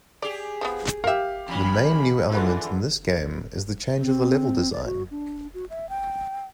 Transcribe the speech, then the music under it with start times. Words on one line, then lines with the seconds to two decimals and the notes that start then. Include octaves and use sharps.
The main new element in this game is the change of the level design.
0.22 G4 G#4 D5
0.61 F3 G3 B3
1.04 G4 A#4 E5 F5
1.48 E2 C#4 B5
2.32 D3 E3 G#3 F4
4.01 C4
4.73 D5
4.86 F#4
5.11 D4
5.54 F#4
5.70 E5
5.89 G5